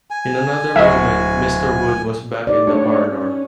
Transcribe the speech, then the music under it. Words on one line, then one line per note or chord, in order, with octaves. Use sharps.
In another moment Mr. Wood was back in the parlour.
G#5
D1 F#4 D#5 E5
D#4 G4 D5
A3 D4 F#4 C#5
C#4